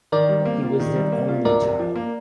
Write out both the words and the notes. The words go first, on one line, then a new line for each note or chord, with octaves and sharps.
He was their only child.
D#3 A#4 D5
G3
A#3
F4
D#3
G3
A#3
F4
D2 A#4 D5
C3
F3
A#3